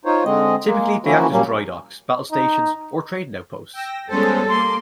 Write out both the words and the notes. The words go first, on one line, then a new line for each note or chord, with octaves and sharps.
Typically they act as drydocks, battle stations or trading outposts.
D#4 F4 C5 C#5
D3 G#3 C4 D#5
G#3 A#3
E3 F3 A#3 C#4 E4 F#4
A#2 F#3 G3 A#3 C#4
D#4
G5 E6 A#6
G3 G#3 B3 C#4 A4 C5
A#3 C6 D6 C7